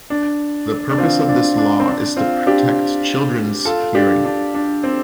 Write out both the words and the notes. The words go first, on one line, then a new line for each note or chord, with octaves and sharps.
The purpose of this law is to protect children's hearing.
D4
D4
C4 F4
D4
D4
C4
D4
C4 F4
D4 G4
F4 A4
D4 G4
D4
D4
C4